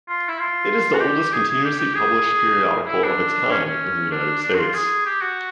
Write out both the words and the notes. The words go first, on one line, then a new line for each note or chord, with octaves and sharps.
It is the oldest continuously published periodical of its kind in the United States.
F4
E4
F4
F#4
G4
G#4
G#4
G4
G4
G#4
E4
D4
C#4
C#4
D4
D4
F#4
F4
G#4
G4
F#4